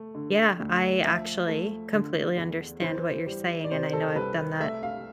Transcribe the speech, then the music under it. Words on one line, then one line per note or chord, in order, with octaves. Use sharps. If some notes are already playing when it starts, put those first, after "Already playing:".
Yeah, I actually completely understand what you're saying, and I know I've done that
Already playing: A3
D3
D2
F3 E5
A3
D3
E2
E3 C5
G3
D5
C3 C5
A4
C2 B4
A3 E5
F5